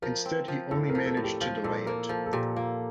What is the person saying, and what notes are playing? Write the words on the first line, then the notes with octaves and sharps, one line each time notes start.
Instead he only managed to delay it.
F3 A#4
C4
F3
A2 A4
A#4
F3
A4
A2
G4
F3 F4
A#2 A4
A#3 A#4
F3 A4
A4
A#2 G4
A#3 F4